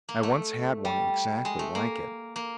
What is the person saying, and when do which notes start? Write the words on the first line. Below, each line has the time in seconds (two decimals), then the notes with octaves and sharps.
"I once had one exactly like it."
0.09 A#3
0.23 A3
0.85 G3
1.45 G#3
1.59 A3
1.75 A#3
2.36 A#3